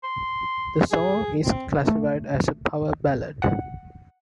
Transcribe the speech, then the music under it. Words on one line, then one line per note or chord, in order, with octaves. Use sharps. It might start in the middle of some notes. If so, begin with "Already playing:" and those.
The song is classified as a power ballad.
C6
G#4
C4
A3
F#5